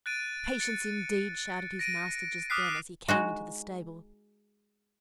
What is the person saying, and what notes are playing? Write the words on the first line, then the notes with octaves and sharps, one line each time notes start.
"Patience indeed!" shouted his master just then, as he came into the stable.
F#6 A6 D7 D#7
A6 C#7
A#6 D7 D#7
D6 D#6 F6 F#6 B6 C7
G#3 D#4 F#4